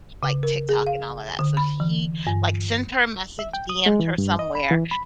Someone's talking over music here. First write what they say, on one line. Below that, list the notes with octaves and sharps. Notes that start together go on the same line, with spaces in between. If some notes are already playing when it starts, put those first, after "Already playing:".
like TikTok and all of that. So, he, like, sent her a message, DM'd her somewhere
C#3
A#4
G#4
F5
D3
B5
E3
G2
E5
G5
D#6
G#3
E3
G2
D#5
B5
E3
B5